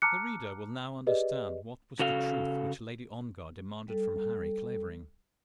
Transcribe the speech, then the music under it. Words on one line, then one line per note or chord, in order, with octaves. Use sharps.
The reader will now understand what was the truth which Lady Ongar demanded from Harry Clavering.
A5 A#5 D6 F6 F#6 C#7
G4 G#4 B4 D5 D#5
C#3 F#4 A4 F5
G3 A4